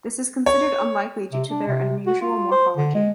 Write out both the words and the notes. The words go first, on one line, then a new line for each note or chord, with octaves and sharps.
This is considered unlikely due to their unusual morphology.
C#5
C3
D4
C3
F#4
F4
C5
D3
G#3